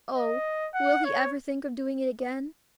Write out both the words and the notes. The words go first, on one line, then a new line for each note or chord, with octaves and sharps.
Oh! will be ever think of doing it again!
D#5
F#5
C#5